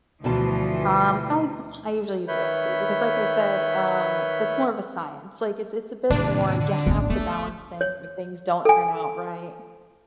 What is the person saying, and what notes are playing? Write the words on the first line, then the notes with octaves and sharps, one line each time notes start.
Um, I I usually use a recipe because, like I said, um, that's more of a science. Like, it's it's a bit more you have to balance things or things don't turn out right.
D2 B2 E3 F3 A5
D#3 B4 C#5 E5 B5 G6
D#2 A2 C3 D4
D3
A1 C#4
A3 B3
C#5
A4 G#5